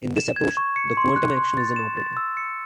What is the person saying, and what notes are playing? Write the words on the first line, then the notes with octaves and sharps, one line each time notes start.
In this approach, the quantum action is an operator.
E7
G#6
C#6
C#7
C6
F#6
C6
A6
E7
A6
E6
C#7